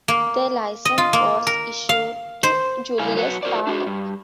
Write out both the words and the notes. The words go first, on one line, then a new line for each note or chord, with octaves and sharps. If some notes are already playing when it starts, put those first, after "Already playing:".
The license was issued to Julius Thaller.
A#3
D#5
F4
A#3
A#4
F5
C5
C#3 G3 A3 E4 F5 G#5
F#3 B4 F#5
F#4 A#4 C5 D5
D4 F#4
G2